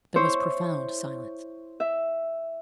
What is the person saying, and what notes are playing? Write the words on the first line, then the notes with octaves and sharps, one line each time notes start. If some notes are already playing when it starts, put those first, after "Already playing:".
There was profound silence.
E4 C5 C#5
E5